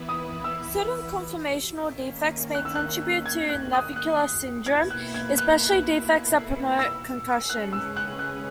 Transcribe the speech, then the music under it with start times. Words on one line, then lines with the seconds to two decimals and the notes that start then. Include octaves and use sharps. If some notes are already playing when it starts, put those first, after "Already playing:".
Certain conformational defects may contribute to navicular syndrome, especially defects that promote concussion.
Already playing: E3 B3 E4 B4
0.09 D#6
0.44 E6
1.85 D#3 A#3 C#4
2.55 F#6
2.65 E6
2.75 F#6
3.26 G#6
3.49 F#6
3.73 D#6
3.96 F#6
4.66 B2 A#3 E4 B4 G#6
4.90 F#6
5.14 G#6
5.38 F#6
6.79 E6
7.49 C#3 G#3 C#4 G#4 B4 F#6
7.73 E6
7.96 F#6
8.19 F#6